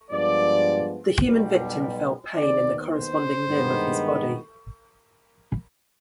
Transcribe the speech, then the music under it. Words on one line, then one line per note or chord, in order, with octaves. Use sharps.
The human victim felt pain in the corresponding limb of his body.
G2 F3 G#3 B3 D5
B1 B2 G3
D#2 D#3 B3 D5
C5
G2 D#3 G#3 B3